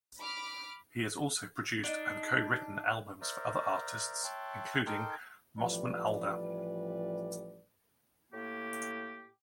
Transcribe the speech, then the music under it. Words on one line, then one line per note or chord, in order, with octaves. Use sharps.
He has also produced and co-written albums for other artists, including Mosman Alder.
B5 D6 F6
D4 D#4
A#4 C5 D5 E5 A#5
C#5 E5 G5 A5 C6 F#6
D#4 A4 A#4 G5 C6 D6
A1 F3 G3 B4 D5
A2 A#3 G4